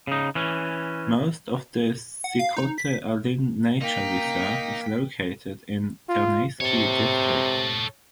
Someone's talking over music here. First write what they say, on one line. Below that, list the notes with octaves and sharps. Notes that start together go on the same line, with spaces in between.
Most of the Sikhote-Alin Nature Reserve is located in Terneysky District.
C#3 D#4
E3 C#4
F#5
F5
D#4
B6
A#3 D#4 G5 B6
F4
C3 A4 C#5